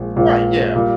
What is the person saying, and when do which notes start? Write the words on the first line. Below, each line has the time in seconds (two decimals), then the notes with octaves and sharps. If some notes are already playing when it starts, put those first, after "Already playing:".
Right, yeah,
Already playing: A#1 A#2 F3 G#3
0.16 A#1 A#2 F3 G#3
0.76 A#2 G3